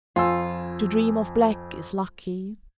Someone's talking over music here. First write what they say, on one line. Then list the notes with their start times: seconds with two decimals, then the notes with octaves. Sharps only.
To dream of black is lucky.
0.16 F2 F4 G#5 E6